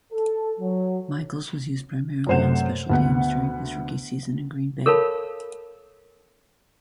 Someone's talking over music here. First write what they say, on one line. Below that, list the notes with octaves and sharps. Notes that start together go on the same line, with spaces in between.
Michaels was used primarily on special teams during his rookie season in Green Bay.
A4
F#3
F#2 C3 A3 C5 F#5 E7
D2 B3 F#5
A4 A#4 C#5 F5 A5 B5